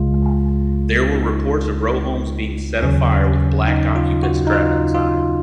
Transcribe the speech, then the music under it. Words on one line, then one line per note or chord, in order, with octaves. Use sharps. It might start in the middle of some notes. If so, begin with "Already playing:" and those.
There were reports of row homes being set afire with black occupants trapped inside.
Already playing: C#2 C#3 G#3 F4
D#4
D#2 C#3 F#3 C#4
C#4
D#4
F4
F#4
D#4
F4
F4